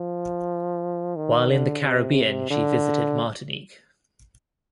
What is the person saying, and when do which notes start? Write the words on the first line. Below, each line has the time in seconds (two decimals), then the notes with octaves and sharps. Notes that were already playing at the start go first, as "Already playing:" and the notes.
While in the Caribbean, she visited Martinique.
Already playing: F3
1.16 D#3
1.50 D3
1.84 C3
2.50 D3